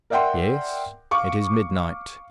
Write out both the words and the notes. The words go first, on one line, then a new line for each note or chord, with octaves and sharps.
"Yes, it is midnight."
A#4 D5 E5 F#5 G5 C6
F5 C#6 D6